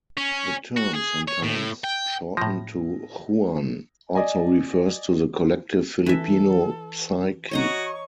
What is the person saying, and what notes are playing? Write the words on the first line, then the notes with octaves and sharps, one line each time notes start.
The term, sometimes shortened to "Juan", also refers to the collective Filipino psyche.
C#4
F#4
G#4
C#5
A2
G5
A2 F3 A#6
D5 D#5 G#5
E3 A4 E5
F#4 C#5 D#5 A#5 C#6